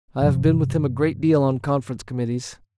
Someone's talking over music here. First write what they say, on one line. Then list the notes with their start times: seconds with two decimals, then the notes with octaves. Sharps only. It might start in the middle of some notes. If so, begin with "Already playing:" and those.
I have been with him a great deal on conference committees.
0.21 G2 C3 F3